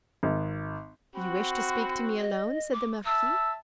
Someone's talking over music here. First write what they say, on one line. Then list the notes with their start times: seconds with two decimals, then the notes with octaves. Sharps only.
"You wish to speak to me alone?" said the marquis.
0.23 G#1
1.14 C4 F#4 B5
2.19 D#5
2.72 D6
3.05 E5 A5 E6